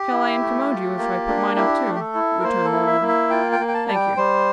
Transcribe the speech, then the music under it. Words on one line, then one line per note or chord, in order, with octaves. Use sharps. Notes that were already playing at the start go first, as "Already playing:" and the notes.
'Shall I incommode you, if I put mine up too?' returned Mortimer. 'Thank you.
Already playing: G4
E4
A3
F4
A#3
D4
E4 G4
A3
G4
A4
E4
A#4
A#3 C5
A4
E4
E5
A#3
E5
F4 G5
G5
A#3
G5
A5
G3 A5
G5
G3 C5